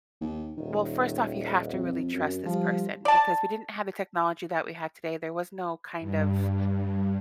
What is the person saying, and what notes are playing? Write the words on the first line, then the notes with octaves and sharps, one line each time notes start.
Well, first off, you have to really trust this person, because we didn't have the technology that we have today. There was no kind of,
D#2
D#1 D#3
F2
F#2
F3 G3
D5 A5
G2